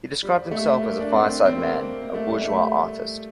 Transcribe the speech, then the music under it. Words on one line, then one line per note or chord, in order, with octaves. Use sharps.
He described himself as "a fireside man, a bourgeois artist".
G3
A3
A#3
D4
C4
C4
A#3
A#3
A3
G3
A3